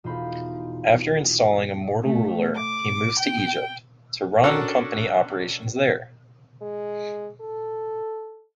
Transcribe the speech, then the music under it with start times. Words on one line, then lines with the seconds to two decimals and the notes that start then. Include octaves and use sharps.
After installing a mortal ruler, he moves to Egypt, to run Company operations there.
0.04 E1 D#4 F4 C5 B5
2.04 A3
2.54 D6
3.19 G5
4.43 C#4 D4 F#4 A4 A#4
6.61 G#3
7.41 A4